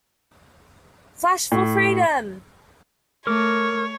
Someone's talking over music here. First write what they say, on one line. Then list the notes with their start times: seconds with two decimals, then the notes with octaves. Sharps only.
Flash For Freedom!
1.52 A2
3.27 A3 A#4 C#5 D6